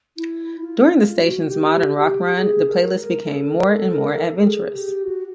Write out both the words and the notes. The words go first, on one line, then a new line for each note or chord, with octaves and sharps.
During the station's modern rock run, the playlist became more and more adventurous.
E4
F4
F4
F#4
G4
G4
G#4
A#4
A#4
A#4
A4
A#4
A4
A#4
A4
G#4
G4
F#4